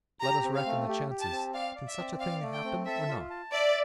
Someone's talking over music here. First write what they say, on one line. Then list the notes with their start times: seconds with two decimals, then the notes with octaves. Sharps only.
Let us reckon the chances--can such a thing happen or not?
0.22 G4 A#5
0.44 C4
0.55 F5
0.66 A3
0.89 G4
1.10 G4
1.21 A5
1.32 C4
1.54 D5 F5
1.76 D5
1.87 E5
1.98 C4
2.21 D5 F5
2.42 A3
2.53 G5
2.64 C4
2.86 A4 E5
3.09 F4
3.30 A5
3.52 D5 E5